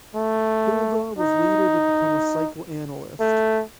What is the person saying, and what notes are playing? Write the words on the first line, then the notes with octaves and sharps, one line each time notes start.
Hilda was later to become a psychoanalyst.
A3
D#4
A3